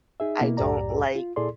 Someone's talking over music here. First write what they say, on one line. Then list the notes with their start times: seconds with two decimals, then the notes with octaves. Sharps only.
I don't like,
0.20 D#4 G#4 E5
0.41 B2 A#3 E4
0.57 C2 F#2 A2 G4 D5 A#5
1.15 F4
1.36 A#2 E4 G#4 A4 D5 C6